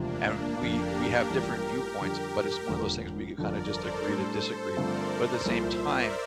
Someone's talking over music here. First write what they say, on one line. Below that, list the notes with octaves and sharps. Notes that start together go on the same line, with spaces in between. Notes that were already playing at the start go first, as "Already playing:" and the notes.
and we we have different viewpoints, but it's one of those things we kinda just agree to disagree, but at the same time,
Already playing: E1 D2 C3 F3 A#3 C4 D4
A#3 D4
F1 F2 D3 G4 A#4
A1 G2 F3 A#3
F2 D3 G3 D4 G4 A#4
E1 E2 D3 F3 A#3
G1 F2 D3 A#4 D5
A4 C5
A2 G3 D4 A4 C5
A4 C5
G2 D3 F3 A3 C4 A#4 D5
C2 A#2 F3 C5 E5
A#4 D5